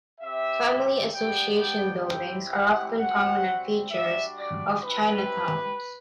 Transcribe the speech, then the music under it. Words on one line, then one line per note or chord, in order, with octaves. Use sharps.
Family association buildings are often prominent features of Chinatowns.
C4 G4 E5
G3 B3 D4 G4 G5
G5
G3 C4 E4 G4 G5
F#5
G3 C4 F#4 F#5
G3 D4 F#4 E5
D5
C4 E4 G4 B4